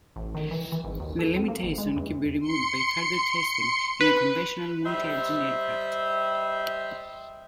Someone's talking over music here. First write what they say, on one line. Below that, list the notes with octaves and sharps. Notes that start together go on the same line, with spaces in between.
The limitation can be removed by further testing in a conventional multi-engine aircraft.
A1
D#3
E3
E3
G#1
D#2
A4
C4
A#3
G#1
G#3
E2
C6 C#7
B4
G3 C5 D#5 E5